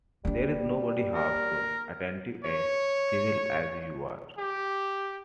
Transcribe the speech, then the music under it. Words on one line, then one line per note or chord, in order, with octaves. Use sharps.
There is nobody half so attentive and civil as you are.
G3 A#3 D4
A#4
C#5
G4